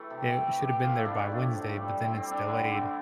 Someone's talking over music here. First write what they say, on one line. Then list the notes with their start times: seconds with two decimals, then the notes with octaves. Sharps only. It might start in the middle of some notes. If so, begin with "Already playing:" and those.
it should have been there by Wednesday, but then it's delayed,
Already playing: E3 A3 A4
0.10 C3
0.34 E3 A3
0.58 A2 G4
0.70 G4
0.82 F3 A3 F4
0.93 E4
1.05 A2 D4
1.29 F3 A3
1.53 A2
1.77 G3
2.00 A2 C4
2.15 C4
2.24 G3
2.31 D4
2.47 D3 E4
2.72 A3